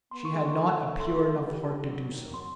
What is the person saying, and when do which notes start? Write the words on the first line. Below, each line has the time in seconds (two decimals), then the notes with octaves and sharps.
She had not a pure enough heart to do so.
0.11 B3 C6
0.22 A#3 C#6
0.34 G#3
0.39 C6
0.45 A#3
0.56 A3
1.00 C6
1.45 G3
1.89 F#3
2.12 D#3
2.34 F#3 C6